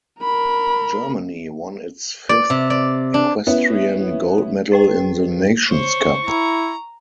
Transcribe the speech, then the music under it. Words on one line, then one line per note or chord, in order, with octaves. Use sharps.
Germany won its fifth equestrian gold medal in the Nations Cup.
A#4 B5
D5
C3
D5
D4
B3 C#4 E4
G#4 B4 G5
C5 C#5 C#6
E4 A#5